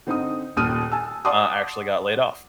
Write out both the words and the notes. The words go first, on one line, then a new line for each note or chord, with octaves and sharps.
uh, I actually got laid off,
D3 C4 D#4 D#5 D#6
D#1 D#2 D#6 F6 D#7
G#5 A5 E6
D5 F#5 A5 C6 D6 D#6